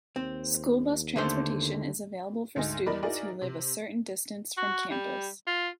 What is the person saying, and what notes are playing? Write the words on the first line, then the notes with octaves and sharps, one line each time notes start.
School bus transportation is available for students who live a certain distance from campus.
D#2 C4
D3 A3 C5
D2 G#2 D#5 G#5
E2 A#4 D5 D#5 B5
D#4 E4 F#4 G#4 A#4 D5
C3
F#4
G3
F4